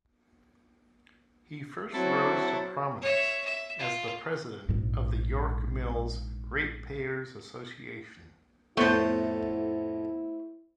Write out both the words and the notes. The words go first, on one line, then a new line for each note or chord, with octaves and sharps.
He first rose to prominence as the president of the York Mills Ratepayers Association.
F#3 C4 E4 A4
C#5 E5
E5
F4
A#1 G#2
F2 A2 A3 B3 E4 C5 A5